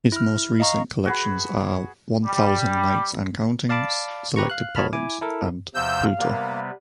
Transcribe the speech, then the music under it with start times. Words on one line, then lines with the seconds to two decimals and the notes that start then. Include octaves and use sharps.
His most recent collections are "One Thousand Nights and Counting: Selected Poems" and "Pluto".
0.12 E4 F6
0.60 D#5 F5 A#5 C#6
1.06 F#4 G#4 B4
2.24 G3
3.69 D5 F5 A5 B5 D6
4.36 G4 B4 A#5 C#6
4.50 F5 F#6
4.75 F#4 C#5 D#5 A5 B5 F6
4.93 E4 G#5 D6
5.21 E4 A4 A#4
5.75 E2 C3 F3 F5 E6 G6
6.19 C3 G3 A#3 B3